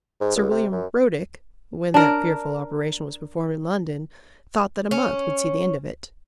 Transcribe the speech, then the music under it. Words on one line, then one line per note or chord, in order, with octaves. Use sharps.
Sir William Brodrick, when that fearful operation was performed in London, thought that a month would see the end of it.
G#2
C#2
C3
F#2
D4 A#4
C#4